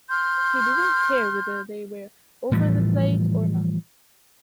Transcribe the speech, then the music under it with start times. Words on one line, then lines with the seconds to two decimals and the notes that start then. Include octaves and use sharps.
He didn't care whether they were over the plate or not.
0.10 C6 F6 G6
2.52 A2 E3 F3 G3